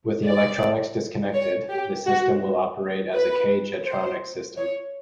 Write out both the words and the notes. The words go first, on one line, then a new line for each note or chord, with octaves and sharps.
With the electronics disconnected, this system will operate as a K-Jetronic system.
D5
C#5
G4
F#4
B4
C5
C#5